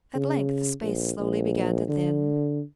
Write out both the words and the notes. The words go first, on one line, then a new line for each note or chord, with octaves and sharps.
At length the space slowly began to thin.
C#3
A#1
A#1
D3